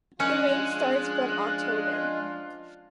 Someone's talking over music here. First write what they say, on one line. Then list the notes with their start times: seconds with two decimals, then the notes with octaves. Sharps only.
The rain starts from October.
0.20 F3 G#3 C#4 D4 F4 F#6